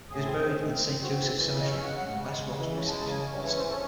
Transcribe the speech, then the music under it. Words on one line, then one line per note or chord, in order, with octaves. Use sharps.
He was buried in Saint Joseph Cemetery in the West Roxbury section of Boston.
A2 G#4
C4
C4
A2
C4
C4
C4 F#4
E3
E3
C#3 E4
D#5
C#4
E5
C#3 F#5
C#3
C#3
G#3
C#3
E3
C#3
G#3 A5
A5
C#3
G#5
C#4
E3
C#5
C#4
C5
C#4 A4